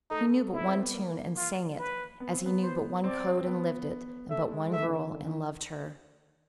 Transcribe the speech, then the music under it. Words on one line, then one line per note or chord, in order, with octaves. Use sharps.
He knew but one tune and sang it, as he knew but one code and lived it, and but one girl and loved her.
A3 D#4
E4
C4
B3
A#3
F4
B4
B3
C4
B3
C5
C4 D5
C4
B3
A3 E5
G#3
G#3
A3 E5
E3
D3
D#3
D#3
D3
E3